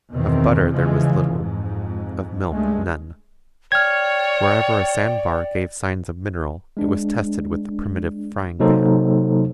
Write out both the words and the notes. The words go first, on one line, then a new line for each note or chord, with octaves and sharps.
Of butter there was little; of milk, none. Wherever a sand-bar gave signs of mineral, it was tested with the primitive frying-pan.
E2 B2 D#3 E3 C4
E2 C#3 E3 F3 G#3
F2 G#2
C#2 G2 G#3 A3
C#5 D5 G5 F6 G#6
G#3 D4
C3 F#3 A#3 D#4 A4 C5